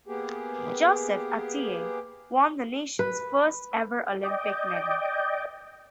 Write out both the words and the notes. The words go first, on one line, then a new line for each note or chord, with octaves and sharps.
Joseph Atiyeh won the nation's first ever Olympic medal.
A#3 B3 G4 G#4
B4
D5 D#5 G5